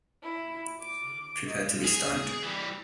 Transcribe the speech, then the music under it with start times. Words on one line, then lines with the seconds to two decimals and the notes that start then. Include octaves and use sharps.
Prepare to be stunned.
0.22 E4
0.80 D6
1.84 G#4
2.43 E3 G3